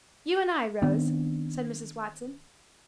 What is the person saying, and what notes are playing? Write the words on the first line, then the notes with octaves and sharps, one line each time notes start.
"You and I, Rose," said Mrs. Watson.
D#3 B3 C4 D4